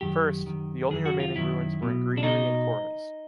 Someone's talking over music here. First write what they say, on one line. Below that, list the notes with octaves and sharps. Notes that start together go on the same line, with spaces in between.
First, the only remaining ruins were in greenery and corons.
F#2 D#3 G4
F#2 D#3
F#2 D#3 G#4
F#4
F4
F#2 D#3 E4
B1 B2
D4
B2 D#4